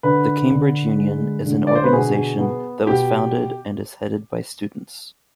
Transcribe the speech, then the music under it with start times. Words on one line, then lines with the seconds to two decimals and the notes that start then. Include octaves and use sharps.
The Cambridge Union is an organisation that was founded and is headed by students.
0.03 D3 B4
0.51 D3
0.98 G#3
1.46 D3
1.67 D5
1.75 C5
1.84 B4
1.93 B2 G#4
2.39 B3
2.87 B2 G4